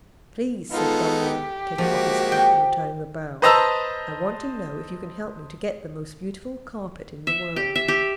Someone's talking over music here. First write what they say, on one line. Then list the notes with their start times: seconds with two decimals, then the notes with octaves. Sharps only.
"Please," said Dummling, taking off his cap and returning the bow, "I want to know if you can help me to get the most beautiful carpet in the world."
0.70 G#3 B3 D#4 F4 A4
1.22 G4
1.78 F3 G#3 A#3 F#4
2.32 G5
3.42 B4 C5 D#5 A5 A#5 E6
7.27 E5
7.56 G4
7.76 E5
7.88 G4